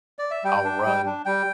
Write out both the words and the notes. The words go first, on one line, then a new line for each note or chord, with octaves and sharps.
I'll run
D5
E5
G3 G5
D4
G3
D4
G3 G5